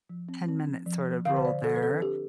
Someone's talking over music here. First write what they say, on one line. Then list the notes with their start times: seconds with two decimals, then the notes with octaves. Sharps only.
ten-minute, sort of, rule there,
0.09 F3
0.29 C4
0.48 C4
0.67 F3
0.86 F3
1.05 F3
1.25 D3 F5
1.36 C5
1.44 D3 D5
1.64 F3 A4
1.76 B4
1.83 C4 A4
2.02 D4 G4